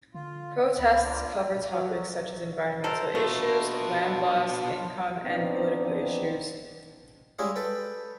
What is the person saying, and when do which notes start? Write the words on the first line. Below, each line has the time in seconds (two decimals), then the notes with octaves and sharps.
Protests cover topics such as environmental issues, land loss, income, and political issues.
0.14 D3 F4
0.79 C#2 A2 E4
1.03 D4 F4 D5
1.69 F#3
2.84 F#3 A4 A#4 C5 A#5
3.15 A3 D4 F4 F#4 B4
5.24 F3 B3 C4 D4 D#4
7.39 G3 G#3 C#4 E4 D#5 F5
7.56 A4 B4 G5